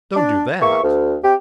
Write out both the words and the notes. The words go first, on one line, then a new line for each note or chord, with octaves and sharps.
"Don't do that!"
D4
E2 A#3 E5 C#6
D2
C3 G4